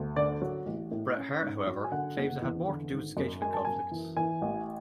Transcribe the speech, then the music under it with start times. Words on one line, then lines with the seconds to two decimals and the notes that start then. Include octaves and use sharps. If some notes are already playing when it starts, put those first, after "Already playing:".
Bret Hart, however, claims it had more to do with scheduling conflicts.
Already playing: D2
0.16 D3 D5
0.42 F#3
0.66 A1
0.91 A2
1.16 C#4
1.41 G#2
1.67 F#3
1.84 G#5
1.92 D3 F#5
2.17 F#1
2.42 E2
2.67 D3
2.92 G#1
3.17 F#2
3.42 G#3 G#5
3.53 A5
3.65 F#2 G#5
3.91 E3
4.16 E3 G#5
4.42 A1